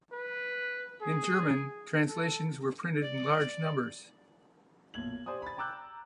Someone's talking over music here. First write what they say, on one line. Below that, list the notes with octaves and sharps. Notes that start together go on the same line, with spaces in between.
In German, translations were printed in large numbers.
B4
G#4
A4
D5
B1 A#2 G#6 F#7
G4 C5 D5 G#5 D#6
B5 A6
G5 A#5 D6 E6 F#6 G6